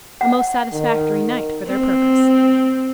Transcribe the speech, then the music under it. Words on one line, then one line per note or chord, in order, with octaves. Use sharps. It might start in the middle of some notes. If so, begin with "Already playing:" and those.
A most satisfactory night for their purpose.
F#5
D#3
C4